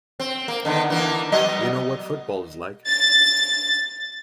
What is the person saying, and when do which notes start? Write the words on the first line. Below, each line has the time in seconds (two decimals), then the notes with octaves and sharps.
You know what football is like.
0.20 C4
0.48 A#3
0.65 D3 D#3 B3
0.90 E3 A#3 B3
1.32 F#3 B3 D#5
2.87 A6